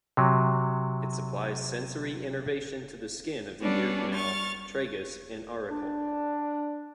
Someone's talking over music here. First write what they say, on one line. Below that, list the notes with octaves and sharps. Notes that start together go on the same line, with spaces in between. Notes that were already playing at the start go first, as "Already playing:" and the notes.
It supplies sensory innervation to the skin of the ear canal, tragus, and auricle.
C3 F#3
G3 B3 C#4 D4
C#6 F6 A6
D4